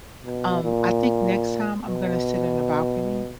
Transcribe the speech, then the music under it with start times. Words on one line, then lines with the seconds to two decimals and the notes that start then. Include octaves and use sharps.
um, I think next time I'm gonna sit in the balcony
0.23 B2
0.64 A#2
1.87 B2